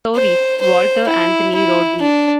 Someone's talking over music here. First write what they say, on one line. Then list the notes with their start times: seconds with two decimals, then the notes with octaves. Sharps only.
Stories: Walter Anthony Rodney.
0.16 C5
0.61 C5
1.08 E4
1.55 E4
2.02 D4